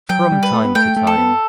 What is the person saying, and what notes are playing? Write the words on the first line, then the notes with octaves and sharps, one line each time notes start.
From time to time.
F#3 G5
G3
B4
A3
B3
A3 G5
A3
A4
B3